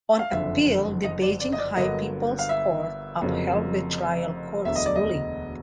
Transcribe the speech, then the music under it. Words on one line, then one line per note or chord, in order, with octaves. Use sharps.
On appeal, the Beijing High People's Court upheld the trial court's ruling.
F5
F#1 F2 D3 E5
D#5
D5
D5
D#5
D5
G1 G2 D3 F#3 A#3 D#5
F5
E5
F1 F2 C#3 F#3 A#3
E1 D2 D3 F#3 E5
D#5
D5
D#5